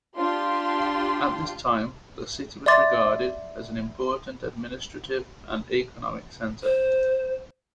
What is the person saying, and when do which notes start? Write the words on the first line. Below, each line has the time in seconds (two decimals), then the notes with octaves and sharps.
At this time, the city was regarded as an important administrative and economic centre.
0.17 D4 F4 G4 C6
2.66 D5 E5 C6 D6 A6
6.63 C5